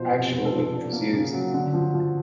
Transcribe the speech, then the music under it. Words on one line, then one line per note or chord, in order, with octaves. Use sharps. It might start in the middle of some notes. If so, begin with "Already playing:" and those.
Actual length is used.
Already playing: B2 F3 C5
C3
F2 B4
A4
F3
A4
D4
A#3
C#3
F#3
D3
F3
F3